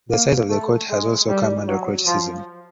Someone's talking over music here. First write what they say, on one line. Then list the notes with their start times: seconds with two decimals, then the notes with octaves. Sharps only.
The size of the court has also come under criticism.
0.11 A#3
0.50 A3
0.90 G#3
1.28 G3
1.67 F#3
2.06 F3